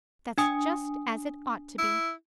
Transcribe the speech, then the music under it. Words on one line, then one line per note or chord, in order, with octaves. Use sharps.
That's just as it ought to be.
D4 G#5 D#6
E4